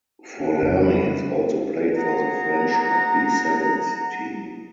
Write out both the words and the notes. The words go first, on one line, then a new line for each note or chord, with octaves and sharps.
Forlani has also played for the French rugby sevens team.
C#4 D4
F2 C#3
B5
G#4 F#5 A#5